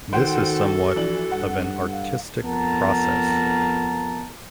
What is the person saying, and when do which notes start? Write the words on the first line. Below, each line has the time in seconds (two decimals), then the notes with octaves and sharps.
This is somewhat of an artistic process.
0.13 D#3 F#4 A4 C5 F#5 G5
0.96 E3 F3 D4 F#7
1.31 G2 F#5
1.92 F5
2.45 F2 B3 A#4 A5 A#5